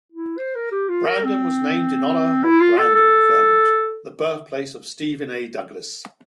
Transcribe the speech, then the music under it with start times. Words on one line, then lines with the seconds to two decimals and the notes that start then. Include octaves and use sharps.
Brandon was named in honor of Brandon, Vermont, the birthplace of Stephen A. Douglas.
0.12 E4
0.38 C5
0.55 A#4
0.72 G4
0.89 F4
1.06 A#4
1.24 C4
2.44 E4
2.60 F4
2.78 A4
2.95 A4